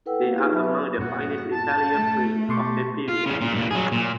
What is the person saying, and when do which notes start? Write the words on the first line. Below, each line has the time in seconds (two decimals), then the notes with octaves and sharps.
They are among the finest Italian prints of the period.
0.06 E4 A4 B4 F#5 G5 E6
0.24 A#3 E4 F5
0.35 D#4 F4 G4 G#4 B4
0.51 F#3 B3 E5 A5 B5
0.64 B4
0.98 G2 A#2 B3 F#4
1.51 A5
1.94 A3
2.49 B2 G4 A5 C6 C#6
3.09 F4
3.26 E2 C#3
3.41 A#2
3.53 G2 A#2
3.71 F#3 G#4
3.92 A#2